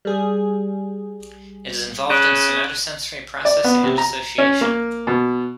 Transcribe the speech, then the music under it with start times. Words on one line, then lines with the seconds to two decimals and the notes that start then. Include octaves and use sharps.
It is involved in somatosensory processing and association.
0.05 G3 G#4
2.10 C#3 F#6
3.45 D5
3.64 B3
3.83 C3
3.98 A#5
4.38 C#4
4.61 A#3
5.07 B2